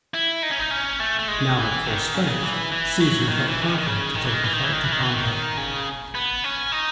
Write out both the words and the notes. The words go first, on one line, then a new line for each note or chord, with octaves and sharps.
Now at full strength, Caesar felt confident to take the fight to Pompey.
E4
D#4
C#4
D#4
C#4
A3
A3
G#3
E3
D#3
C#3
E3
E3
F#3
D#3
E3
C#3
D#3
D#3
C#3
D#3
E3
D#3
E3
D#3
E3
D#3
E3
D#3
E3
D#3
C#3
B3
C#4
D#4